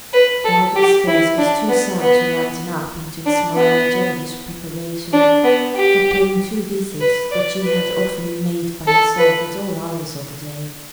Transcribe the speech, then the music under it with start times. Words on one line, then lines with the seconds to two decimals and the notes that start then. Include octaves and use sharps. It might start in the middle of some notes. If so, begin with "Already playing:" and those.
Margaret's face was too sad to lighten up into a smile at all this preparation for paying two visits, that she had often made by herself at all hours of the day.
0.13 B4
0.44 A4
0.76 G4
1.07 E4
1.39 D4
1.69 B3
2.01 B3
3.26 D4
3.56 B3
5.13 D4
5.44 B3
5.75 G4
7.00 B4
7.31 D5
7.63 B4
8.87 A4
9.18 B4